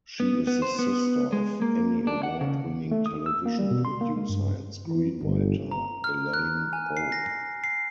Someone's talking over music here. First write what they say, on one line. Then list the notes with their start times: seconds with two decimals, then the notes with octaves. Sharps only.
She is the sister of Emmy Award-winning television producer and screenwriter Elaine Pope.
0.20 B3
0.47 B3
0.62 C5
0.79 B3
1.33 G#3
1.62 A#3
2.07 D4
2.23 F#5
2.41 C#3
2.91 A3
3.06 D#6
3.26 E6
3.46 A#3
3.59 G3
3.71 B2
3.85 C6
4.01 A#3
4.16 G#3
4.29 G2
4.86 E3
5.22 G1
5.71 A#5
6.04 F6
6.34 F#6
6.73 G#5
6.97 C7
7.12 A#6
7.64 C7